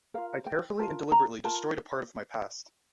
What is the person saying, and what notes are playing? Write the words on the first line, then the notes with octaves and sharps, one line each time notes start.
I carefully and deliberately destroyed a part of my past.
F4 A#4 F5
G5
F4 A#4 A5
A#5
F4 A#4 A5